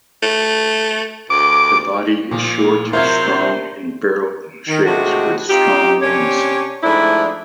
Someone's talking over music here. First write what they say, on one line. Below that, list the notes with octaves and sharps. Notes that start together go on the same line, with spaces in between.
The body is short, strong and barrel-shaped, with strong limbs.
A3
D2 D6
A#2 F3
C3 F#3 E4 F4 A#4 C5 E5 G#6
D#3
A2 C3 G#3 A3 D4 F#4
C4 D#4 F4 G4
C3 C#4 D4 G4 C#5
G#2 F3 A3 D4 E4